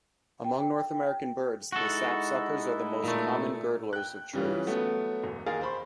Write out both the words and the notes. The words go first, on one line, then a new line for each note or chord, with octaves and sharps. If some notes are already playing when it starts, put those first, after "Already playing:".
Among North American birds, the sapsuckers are the most common girdlers of trees.
G5
G#3 D#4 E4 F#4 A4
A#2 A3
G5 F#6
C#3 E3 G3 C#4 F4
F#3 A3 B3
E1
D#2 G#4 A#4 F5 A6
C5 B5 C6